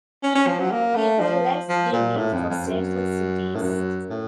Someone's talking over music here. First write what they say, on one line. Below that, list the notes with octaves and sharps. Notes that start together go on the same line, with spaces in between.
People left Delhi for safer cities.
C#4
C#4
F3
F#3
A#3
A3
F3
F3
A#2
A2
F2
F2
F#2
A2
F#2
A2